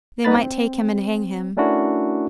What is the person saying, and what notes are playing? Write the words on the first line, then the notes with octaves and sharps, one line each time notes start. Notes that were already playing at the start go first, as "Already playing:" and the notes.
They might take him and hang him.
G3 B3 D#4 B4 B5 A6
C4
A3 C#4 D4 E4 F#4 A#4